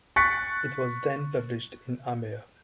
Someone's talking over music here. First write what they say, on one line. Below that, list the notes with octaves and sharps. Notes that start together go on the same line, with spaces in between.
It was then published in Amer.
C#6 F#6 A6 B6 C#7